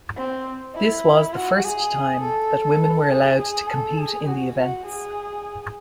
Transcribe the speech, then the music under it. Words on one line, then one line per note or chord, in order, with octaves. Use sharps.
This was the first time that women were allowed to compete in the events.
C4
E4
F#4
G#4
A4
G#4
G#4
A4
G#4
F#4
F#4
G#4